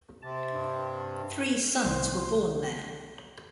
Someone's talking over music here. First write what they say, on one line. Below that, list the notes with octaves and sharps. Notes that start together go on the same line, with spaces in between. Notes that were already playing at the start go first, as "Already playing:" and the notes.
Three sons were born there.
C3 A5
G2
C2 C5
C6